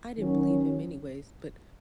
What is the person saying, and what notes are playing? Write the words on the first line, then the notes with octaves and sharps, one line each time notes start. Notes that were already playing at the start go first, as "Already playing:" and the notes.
"I didn't believe him anyways, but
D#3 F#3 C#4